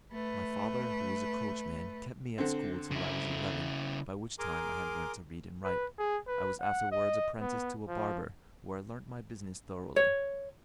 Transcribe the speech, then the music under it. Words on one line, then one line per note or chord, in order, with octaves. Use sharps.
My father, who was a coachman, kept me at school till I was eleven, by which time I had learnt to read and write; I was afterwards apprenticed to a barber, where I learnt my business thoroughly.
A3 B4
D3 C4
C#3 E4
G#4 A#4 G#5 A#5 C6 D6
B4
G#4
B4
F#5
D#5
B3
F3
C#5